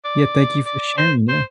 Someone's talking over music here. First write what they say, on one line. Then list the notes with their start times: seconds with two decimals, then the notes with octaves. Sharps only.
Yeah, thank you for sharing, yeah.
0.04 D5
0.66 D5
0.98 C5
1.29 C5